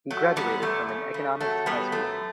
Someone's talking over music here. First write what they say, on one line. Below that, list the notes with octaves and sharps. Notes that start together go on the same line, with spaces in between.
He graduated from an Economics High School.
F#3 A3
F#2 G3 B3
F#2 A3
C#3
C#3
F#3 A3
F#3 G3 B3
F#2 A3